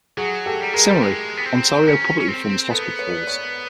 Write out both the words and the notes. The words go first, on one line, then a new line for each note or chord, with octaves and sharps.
Similarly, Ontario publicly funds hospitals.
F#3 F#4 G#4
G4 A4
G3
G#3 G#4 A#4
G3
G#3
B3
C4
C#4
C#4
C4
B3 A4 B4
B4 C#5
D5
B4 C#5